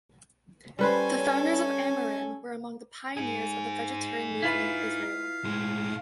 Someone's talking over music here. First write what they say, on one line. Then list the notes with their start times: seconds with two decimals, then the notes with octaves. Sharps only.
The founders of Amirim were among the pioneers of the vegetarian movement in Israel.
0.79 G3 C#4 A4 B4 C5 G#5
3.17 D#4 G#4
4.42 E4 F4 B4 F5
5.45 A2 G#3